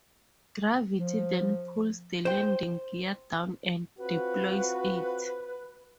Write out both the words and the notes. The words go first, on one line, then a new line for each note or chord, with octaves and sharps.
Gravity then pulls the landing gear down and deploys it.
F3
C5 G5
C4 F4 F#4 B4